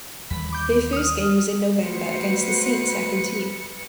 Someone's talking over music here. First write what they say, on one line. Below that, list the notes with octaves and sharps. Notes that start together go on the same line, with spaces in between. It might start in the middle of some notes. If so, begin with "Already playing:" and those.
Their first game was in November against the Saints second team.
D#2 E3 G3 B5
D6 G6
D#6 F6
A3 F#4 B4 C5 C#7